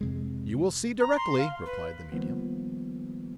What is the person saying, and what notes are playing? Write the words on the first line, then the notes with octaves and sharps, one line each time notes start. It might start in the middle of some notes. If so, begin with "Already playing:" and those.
"You will see, directly," replied the medium.
F2 C3 G#3
A#5
C6
F5
B4
D#3 F3 G3 A#3 B3